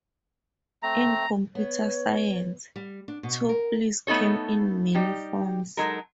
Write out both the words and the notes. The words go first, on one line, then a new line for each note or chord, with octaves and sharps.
In computer science, tuples come in many forms.
A3 C4 A#5
B3 C#5
G3
D4
B2
A#4
A3 B3 D#4 A4 C#5
G3 D#4 G4
F#3 G#3 D#4 A4 A#4